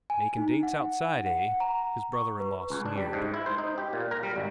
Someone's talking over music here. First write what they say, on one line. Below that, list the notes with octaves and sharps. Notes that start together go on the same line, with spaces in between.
"Makin' dates outside, eh?" his brother-in-law sneered.
G#5
D#4
F#5
F#5
A#5
C#6
B4
C#2
D4
G3
G#2
E4
C5
D#4
G4
A#2
A#4
G3
G#1